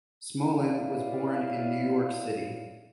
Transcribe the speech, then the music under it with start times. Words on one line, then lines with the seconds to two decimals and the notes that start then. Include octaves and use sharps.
Smolin was born in New York City.
0.48 E4 B4 C#5 D5 E5 F5